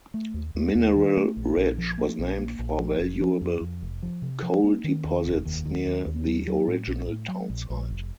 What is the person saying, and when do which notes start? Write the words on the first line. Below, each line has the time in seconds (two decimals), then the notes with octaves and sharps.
Mineral Ridge was named for valuable coal deposits near the original town site.
0.14 A3
0.34 D#2
0.55 D#2
0.75 D#2
0.96 D#3
1.17 A3
1.37 A#1
1.57 A#1
1.78 F3
1.98 A#3
2.19 A#1
2.39 A#3
2.59 A#1
2.80 F3
2.99 F1
3.21 F3
3.41 F2
3.61 F2
3.82 F1
4.02 F3
4.22 C3
4.42 F3
4.64 A#3
4.84 D#3
5.04 D#2
5.25 F1
5.45 D#2
5.66 D#3
5.86 D#2
6.06 D#2
6.27 F#3
6.47 F#3
6.68 A2
6.88 A#1
7.08 A2
7.28 F#3
7.50 A#1
7.70 A#1
7.90 F1